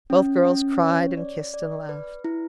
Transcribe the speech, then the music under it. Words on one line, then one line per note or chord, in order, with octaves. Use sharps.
Both girls cried and kissed and laughed.
C#4
C#4
C#5
D5
D5
B4
E4